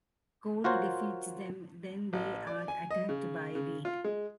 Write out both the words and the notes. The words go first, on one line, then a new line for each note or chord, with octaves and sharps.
Cole defeats them, then they are attacked by Reed.
F4 F#4 A#4 C5 C#5
A1
D5
G#5
D#5
C#3
C#3
F4
G#3